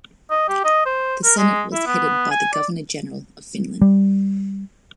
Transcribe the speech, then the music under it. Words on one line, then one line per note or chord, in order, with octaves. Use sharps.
The Senate was headed by the Governor-General of Finland.
D#5
G4
D#5
C5
A#4
G#3
E4
B3
G#5
D5
G3